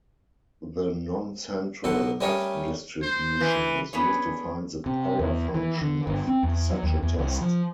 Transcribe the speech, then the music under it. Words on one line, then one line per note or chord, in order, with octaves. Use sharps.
The noncentral "F"-distribution is used to find the power function of such a test.
B1 B2 A4 F#5
G3 A3 C#4 A#4 C#5 D#5
C5
E3
B3 C#4 D4 G#4 C#5
C3
E2
E3
D3
G1
C4
E2
F#3
D#2
E2
C2
F3